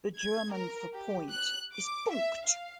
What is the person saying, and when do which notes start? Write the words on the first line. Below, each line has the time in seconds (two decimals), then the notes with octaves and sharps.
The German for point is Punkt.
0.16 G#6
0.52 A#4
0.93 G4
1.30 F#6
1.73 D6
2.10 E5
2.45 F5